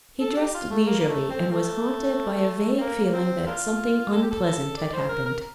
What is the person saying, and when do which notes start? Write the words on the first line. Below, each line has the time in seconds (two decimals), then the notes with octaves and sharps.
He dressed leisurely, and was haunted by a vague feeling that something unpleasant had happened.
0.21 A4
0.37 G4
0.55 F4
0.70 A3
0.86 A#3
1.00 A#3
1.08 A3
1.30 C4
1.52 A3
2.78 C4
2.81 A#3
3.05 A#3
3.14 C4
3.46 A#3 D4 F4
4.12 A4
4.22 G4
4.31 A4
4.77 D5
4.93 C5
5.09 A#4
5.26 A#4